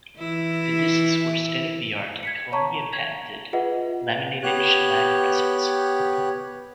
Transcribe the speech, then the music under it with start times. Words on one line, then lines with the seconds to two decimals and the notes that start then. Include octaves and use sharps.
The discs were state-of-the-art, Columbia-patented, laminated shellac pressings.
0.18 E3 E4
2.23 G#6 B6 C#7
2.52 C#5 A5 A#5 C#6
2.93 G#6
3.53 F4 G#4 B4 D#5 E5 F#5
4.43 B3 G4 C#5 F#6